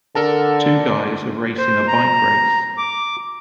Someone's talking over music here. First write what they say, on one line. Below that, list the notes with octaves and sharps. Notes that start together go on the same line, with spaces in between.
Two guys are racing a bike race.
D3 A4 A#4 A5
C5
A#5
D6